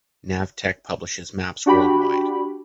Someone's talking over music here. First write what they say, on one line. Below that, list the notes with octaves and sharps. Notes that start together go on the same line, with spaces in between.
Navteq publishes maps worldwide.
D4 F#4 G4 G5 B5